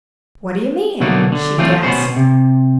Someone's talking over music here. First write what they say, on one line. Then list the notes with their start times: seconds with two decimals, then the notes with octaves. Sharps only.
"What do you mean?" she gasped.
1.00 B2 D3 F#3 A3 A#3 D#4
1.32 D3
1.58 E3 F#3 A3 C4 F4
1.83 B2 B3 C#4 C5
2.16 C3